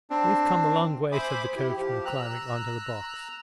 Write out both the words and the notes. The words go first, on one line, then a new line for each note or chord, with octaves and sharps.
"We've come a long way," said the coachman, climbing onto the box.
C4 D4
C5 E5 G#5 B5 D6 D#6
E4 G4
F3 G4
A#5 E6 F#6